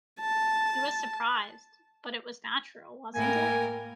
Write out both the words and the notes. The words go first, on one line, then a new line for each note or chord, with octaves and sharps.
He was surprised; but it was natural, wasn't it?
A5
A2 A#3 A#4 G5 G#5